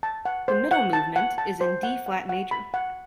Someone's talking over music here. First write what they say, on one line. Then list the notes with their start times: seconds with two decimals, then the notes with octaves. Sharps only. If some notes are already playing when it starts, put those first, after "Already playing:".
The middle movement is in D-flat major.
0.03 A5
0.25 F#5
0.48 C5
0.71 F#5
0.93 A5
1.16 F#5
1.38 A5
1.61 C5
1.83 F#5
2.06 F#5
2.29 F#5
2.51 B5
2.74 F#5